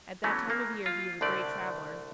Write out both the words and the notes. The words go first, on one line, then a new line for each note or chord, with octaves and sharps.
At that time of year he is a great traveler.
E3 F#3 A3 B3 C#4
A#3
F4
C2 D3 A3 D5